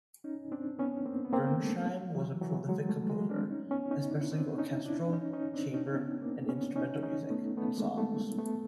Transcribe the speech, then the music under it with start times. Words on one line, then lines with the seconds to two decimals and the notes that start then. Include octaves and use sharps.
Gernsheim was a prolific composer, especially of orchestral, chamber and instrumental music, and songs.
0.24 C#4 D#4
0.52 C4 D4
0.79 B3 C#4
1.06 A#3 C4
1.25 B3
1.32 A#3 C4
1.60 G3 A3
2.14 E3 F#3
2.41 E3 F#3
2.69 F#3 G#3
2.89 G3 A3
3.09 F#3 G#3
3.30 C4 D4
3.50 C#4 D#4
3.71 B3 C#4
3.91 C#4 D#4
4.11 D4 E4
4.32 C4 D4
4.58 C#4 D#4
4.85 D4 E4
5.13 C#4 D#4
5.33 C#4 D#4
5.54 C4 D4
5.74 C#4 D#4
5.94 B3 C#4
6.21 A#3 C4
6.49 B3 C#4
6.70 D4
6.75 C#4 D#4
7.03 C#4 D#4
7.30 A3 B3
7.57 A3 B3
7.77 G#3 A#3
7.98 G3 A3
8.38 A3 B3